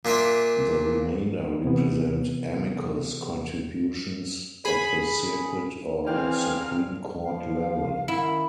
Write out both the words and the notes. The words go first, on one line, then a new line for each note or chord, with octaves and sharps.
The remainder represent "amicus" contributions at the circuit or Supreme Court level.
A#2 D4 F4 E5
C3 E3 B3
G#4 B5
E3 C4 G#4 D5 F5 G5
F3 F5
D#3 E4